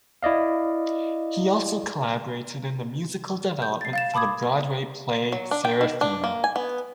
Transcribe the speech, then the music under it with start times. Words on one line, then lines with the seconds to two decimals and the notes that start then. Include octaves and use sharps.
He also collaborated in the musical development for the Broadway play, Sarafina!
0.23 E4 D5 D#5 F5
3.62 G6
3.81 A6 C7
3.93 F5 A6 E7
4.14 A5 B5 D6 D#6 G#6
5.32 F#3
5.51 D4
5.65 G5
5.81 D#3
6.01 D4
6.24 A#3
6.44 G#5
6.56 B3